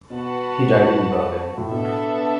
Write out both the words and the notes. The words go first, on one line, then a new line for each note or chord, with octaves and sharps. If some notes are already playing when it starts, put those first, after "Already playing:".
He died in Berlin.
B2 F#4 B4 F#5 A5
A2
B2 B3 D4 A4 E5